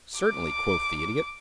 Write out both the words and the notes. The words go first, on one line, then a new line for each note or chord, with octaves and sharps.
"Certainly," quoth the Idiot.
D6